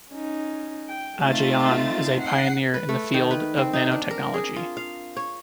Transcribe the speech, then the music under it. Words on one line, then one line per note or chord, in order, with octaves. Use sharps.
Ajayan is a pioneer in the field of nanotechnology.
C#4 D#4
G5
A3 C4 D#4 F4 A6
F#5 C7
B4
A3
D#3
B4
C4
D#4
D4
A#4
G#4
F4
F5
C#5